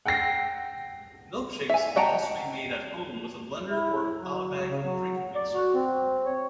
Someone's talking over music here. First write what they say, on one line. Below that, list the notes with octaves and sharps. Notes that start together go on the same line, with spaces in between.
Milkshakes can also be made at home with a blender or automatic drink mixer.
F#5 G5 E6 A#6 C7
E5 G#5
D#5 F#5 G5 A5 A#5
E4
F#3
C#3
F#3
D5
F#4
C4
C#5